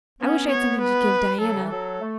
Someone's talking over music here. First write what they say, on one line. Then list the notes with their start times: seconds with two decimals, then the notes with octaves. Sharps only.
I wish I had something to give Diana.
0.21 B3 C#4
0.51 C#5
0.81 B4
1.40 F#3 A4
1.54 C#3
1.62 E3
1.70 F#3 A4
2.00 A3